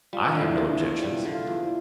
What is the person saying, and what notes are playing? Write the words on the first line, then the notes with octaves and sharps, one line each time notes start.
"I have no objections."
G3 F4
D3 D4
E4
E2
D4
E4
E2
F4
G3 G4
D3
F4
E2
F4
E4